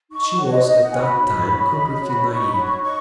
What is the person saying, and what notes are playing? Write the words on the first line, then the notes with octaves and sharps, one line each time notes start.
She was at that time completely naive.
D#4 C#6
C#6
F#4 C#5 F#5
D#5
D#4 D#5
F#5
F#4 C#5 G#5
B5
D#4
F#4 C#5
D#4
F#4 C#5
D#4 C#6
B5
F#4 C#5
C#6
D#4 C#6